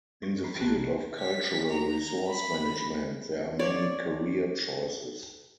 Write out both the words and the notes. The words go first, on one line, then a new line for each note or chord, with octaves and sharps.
In the field of cultural resource management there are many career choices.
G2 C#6
A#5 B5 B6 C7
B1 G4 A5 F#6 C7
C3 C#4
B6
A#5
B5
C#5 D5